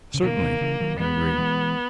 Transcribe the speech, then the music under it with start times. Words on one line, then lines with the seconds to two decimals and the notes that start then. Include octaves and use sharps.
"Certainly!" I agreed.
0.14 C#3
0.23 B2 D#3 A#3
0.41 B2 D#3
0.61 C#3 E3
0.80 D#3 F#3
1.00 E3 G#3 B3
1.38 E3 G#3